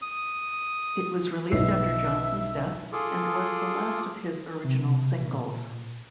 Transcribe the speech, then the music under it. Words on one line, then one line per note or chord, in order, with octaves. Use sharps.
It was released after Johnson's death and was the last of his original singles.
D#6
B1 B4 E5 C7
F4 G#4 A4 D6
C3
A#2